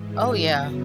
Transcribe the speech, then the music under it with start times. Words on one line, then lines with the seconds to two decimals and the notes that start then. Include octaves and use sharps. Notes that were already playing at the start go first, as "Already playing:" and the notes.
Oh, yeah.
Already playing: G#2 E3 G#3
0.11 E5
0.42 F#2 C#3 F#3 B3 E5